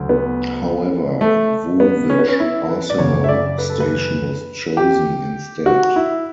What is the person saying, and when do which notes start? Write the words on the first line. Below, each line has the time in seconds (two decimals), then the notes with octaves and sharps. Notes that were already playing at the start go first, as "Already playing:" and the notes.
However, Woolwich Arsenal station was chosen instead.
Already playing: D2 C#3 F#3
0.09 B3
1.21 A3
1.80 B3
2.10 C#4
2.19 B3
2.28 C#4
2.40 E4
2.69 B4
2.90 D5
2.99 F#2 C#3 F#3 C#5
3.24 E5
3.29 D5
3.58 B4
3.69 A4
3.80 B4
4.77 G4
5.66 F#4
5.96 E4